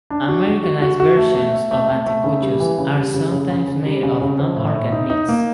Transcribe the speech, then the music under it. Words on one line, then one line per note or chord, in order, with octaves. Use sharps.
Americanized versions of anticuchos are sometimes made of non-organ meats.
D4
F#4
F#4
F#4
F#4
F#4
A3
A3
A3
A3
A3
A3
C#3
G3
E3
C#3
G3
C#3
C#3
C#3
C#3
G3
C#3
C#3
F3
A2
A2
D#4
D#4
A#3